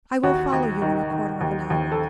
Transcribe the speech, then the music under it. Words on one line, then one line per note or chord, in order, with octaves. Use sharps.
I will follow you in a quarter of an hour.
D#2 F#4
D#2
D#3
D#3
D#2
D#2
A4